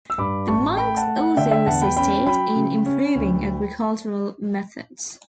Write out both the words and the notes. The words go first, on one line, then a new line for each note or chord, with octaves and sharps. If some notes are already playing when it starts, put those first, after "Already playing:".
The monks also assisted in improving agricultural methods.
E6
G2 B5 D6
A1 A5 C#6
A3 G5 B5
F#5 A5
A3
F#5
D3 E5 G5
E5 G5
E2 F#5 A5
G5 B5
C#4 G5 B5
F#3 G5 B5
C#3
C#4
D2